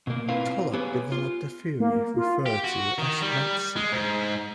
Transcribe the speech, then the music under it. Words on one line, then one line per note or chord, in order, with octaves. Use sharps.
Tullock developed a theory referred to as rent-seeking.
B2 A#3
C4 E4 F4 B4 F5
B3 G4 G#4 B4 C#5
F4
A#3
F4
G4
F#4
D#3
G3
G#3
G#2